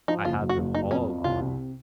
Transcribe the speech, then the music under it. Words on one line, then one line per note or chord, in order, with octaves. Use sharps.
I have them all on.
F3 D#4
F#1 F4
F#3
F#4
F#1
F#3 D#4
F2 C#4
F2
C2 F4
C3